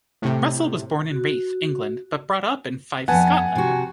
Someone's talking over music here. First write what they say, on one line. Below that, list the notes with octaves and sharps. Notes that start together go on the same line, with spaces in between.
Russell was born in Reeth, England but brought up in Fife, Scotland.
A2 C3
F#4
F2 B3 F#5 G#5 A5
C3 F#4